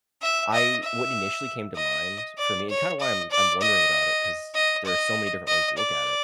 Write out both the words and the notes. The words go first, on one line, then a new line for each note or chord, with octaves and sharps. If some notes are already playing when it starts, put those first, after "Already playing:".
I what initially came to mind for me and kinda why I'm I'm wondering about it 'cause there are so many different ways to look at it.
E5
D#5
E5
D#5
D5
C#5
D#5
D5
D#5
D#5
D#5
D#5
D5